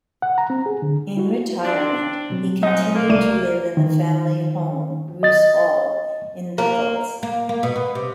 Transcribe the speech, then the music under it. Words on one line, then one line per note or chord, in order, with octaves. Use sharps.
In retirement he continued to live in the family home, Roos Hall in Beccles.
F#5
A#5
C4
G#4
D3
E4 F#4
C4 D4
B2 F#3 C4
F3 C#4 D#4 D#5 F#5
A#3
C2 A3 D5 D#7
D#3
D#5 A6
A#3
A#3
A#3
B2
B3
C3